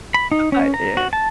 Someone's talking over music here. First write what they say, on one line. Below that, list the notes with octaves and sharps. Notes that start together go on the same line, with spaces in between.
I yeah.
B5
D#4
C#4
A#5
F#4
A5